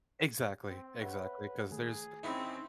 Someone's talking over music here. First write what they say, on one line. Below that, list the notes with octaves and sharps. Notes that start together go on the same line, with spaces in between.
Exactly, exactly. 'Cause there's
C4
B4 C#5 E5 F#5
D#3 A3 G#4
C4 C#4 D#4 E4 B4 E5 B5